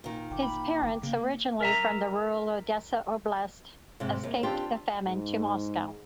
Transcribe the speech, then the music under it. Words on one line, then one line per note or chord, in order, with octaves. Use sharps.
His parents, originally from the rural Odessa Oblast, escaped the famine to Moscow.
A#2 D#3
G1 G5 D6
B5
G1
C#3 A#3
A#4 E5 A#5
G#2 C3
D#2
C4 D4 F4 G4
G#2